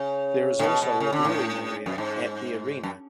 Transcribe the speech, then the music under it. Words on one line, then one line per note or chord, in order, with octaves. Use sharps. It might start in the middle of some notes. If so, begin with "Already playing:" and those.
There is also a viewing area at the arena.
Already playing: C#3
A2
B2
B2
C#3
D3
A2
F#2
G#2
F#2